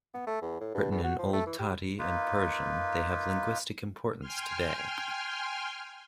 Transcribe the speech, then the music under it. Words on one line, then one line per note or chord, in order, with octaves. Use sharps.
Written in old Tati and Persian, they have linguistic importance today.
B3
A3
E2
A2
G2
E2
F#4
F3
A3
E3
G4
A#3 D#4 F4 B4
G5 G#5 C6 F6